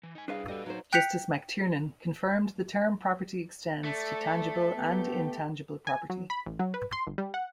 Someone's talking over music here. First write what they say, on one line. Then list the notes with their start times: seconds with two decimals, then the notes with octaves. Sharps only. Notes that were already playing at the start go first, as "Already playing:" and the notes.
Justice McTiernan confirmed the term property extends to tangible and intangible property.
0.03 E3
0.15 D#4 G#5
0.28 G3 D4 E4 G#4 B4 F5
0.48 G3 F#4 A4 D#5
0.66 F#3 D#4 C5
0.93 G5 F#6 G6 B6 C#7 F7
3.84 A3 A4 D5
4.76 B3 G4 G5
5.87 G#5
6.10 F#3
6.30 B5
6.46 A1
6.59 F#3
6.74 B4
6.93 C6
7.07 G1
7.18 G3
7.34 F#5